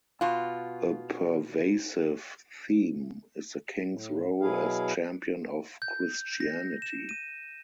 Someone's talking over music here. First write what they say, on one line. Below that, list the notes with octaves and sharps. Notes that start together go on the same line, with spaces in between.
A pervasive theme is the King's role as champion of Christianity.
B2 F4
A2
B2 F#3 E4 G#4 F5
G6
A#6
E7
D#7